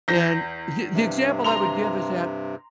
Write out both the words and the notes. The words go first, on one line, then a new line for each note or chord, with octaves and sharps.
And the the example I would give is that
E2 G6 A#6
G2 C3
A#5 C6 F7